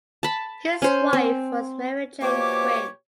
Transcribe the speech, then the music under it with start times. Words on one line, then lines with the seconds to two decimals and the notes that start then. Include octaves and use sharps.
His wife was Mary Jane Quinn.
0.23 A5 B5
0.82 C#4 C5
1.13 C4
2.22 B2 F3 A#3 G4 C#5 D6